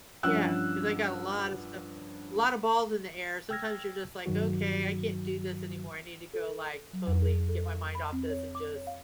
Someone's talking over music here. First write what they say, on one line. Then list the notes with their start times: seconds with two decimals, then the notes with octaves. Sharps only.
Yeah, 'cause I got a lot of stuff uh, a lot of balls in the air, sometimes you're just like, "Okay, I can't do this anymore, I need to go, like, totally get my mind off this and just"
0.23 G2 F3 C#4 F#5 E6 F#6
3.50 G5 E6 F6 G#6 A#6
4.26 G2 D#3 F#3 F#4
6.34 A4
6.93 F#3
7.07 F2
7.22 G#4
7.48 A4
7.66 F5
7.95 B5
8.13 C4
8.30 C#5
8.55 D6
8.75 C#5
8.87 F5